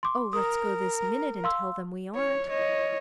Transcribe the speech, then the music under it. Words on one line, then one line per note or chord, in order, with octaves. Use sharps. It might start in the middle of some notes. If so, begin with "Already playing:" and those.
Oh, let's go this minute and tell them we aren't.'
C6 D6
A#4 D#6
F5 C6 E6
C#5
C#5 D#5